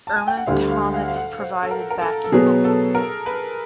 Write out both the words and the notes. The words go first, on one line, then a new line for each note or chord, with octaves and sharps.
Irma Thomas provided backing vocals.
A5
G#5
G5
F#5
D2 D3 G3 F5
F5
F5
F#5
F5
F#5
C5
A4
A#4
A#4
A4
A4
B2 F#3 B3 G#4
A4
A#4
B4